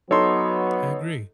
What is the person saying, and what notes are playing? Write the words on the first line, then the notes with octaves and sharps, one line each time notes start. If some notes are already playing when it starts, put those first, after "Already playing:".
I agree.
F#3 B3 D#4 A4 C#5 C6